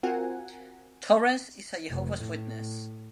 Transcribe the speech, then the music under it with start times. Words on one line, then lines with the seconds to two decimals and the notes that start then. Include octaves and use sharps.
Torres is a Jehovah's Witness.
0.03 C4 F4 F#4 A#4 F#5 G#5
1.90 F1
2.21 A2